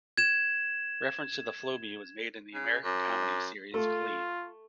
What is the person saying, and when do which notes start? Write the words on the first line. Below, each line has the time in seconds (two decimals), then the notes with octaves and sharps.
Reference to the Flowbee was made in the American comedy series Glee.
0.17 G#6 E7
2.54 C#3
2.84 F#2
3.74 A3 F4